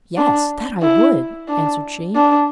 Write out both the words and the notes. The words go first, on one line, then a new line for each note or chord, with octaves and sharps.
'Yes, that I would!' answered she.
D4
E4
D4
D4